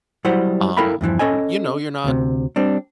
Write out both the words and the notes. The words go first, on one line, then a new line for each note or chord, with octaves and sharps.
um, m you know, you're not,
F#3 G3 E4 C5 F#5
E4 A4 A#4 F5 G5 B5
E2 G2 E3 F3
C#4 A4 D#5 G#5
D2 C3
G3 C4 D4